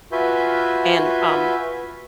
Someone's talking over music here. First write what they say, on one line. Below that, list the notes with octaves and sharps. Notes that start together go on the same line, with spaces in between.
and, um
F4 F#4 B4 E5 G#5 G6